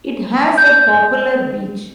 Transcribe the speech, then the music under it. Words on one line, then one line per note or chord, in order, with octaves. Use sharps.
It has a popular beach.
G6